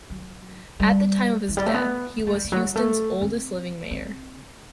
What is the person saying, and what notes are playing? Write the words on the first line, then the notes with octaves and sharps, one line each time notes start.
At the time of his death, he was Houston's oldest living mayor.
F#3
G3
E3
G3
A3
B3
B3
A3
G3
D3
F#3
G3
A3
C4
C4